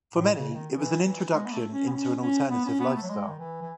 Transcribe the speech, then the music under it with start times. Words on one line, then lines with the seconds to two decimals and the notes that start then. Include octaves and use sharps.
For many it was an introduction into an alternative lifestyle.
0.14 A2
0.34 C#3
0.54 D#3
0.74 E3
1.03 E3
1.33 G#3
1.46 B3
1.53 A3
1.72 C#4
1.87 B3
1.92 C#4
2.21 C#4
2.50 B3
2.66 C#4
2.80 B3
2.95 A3
3.02 F#3
3.10 G#3
3.28 D#3
3.39 E3
3.61 E3